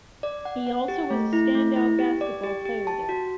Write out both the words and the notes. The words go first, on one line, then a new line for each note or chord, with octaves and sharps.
He also was a stand out basketball player there.
D5
F#5
F#5
G4
A3
E4
A3
E4
G4
D5
G4
G4
A5
F#4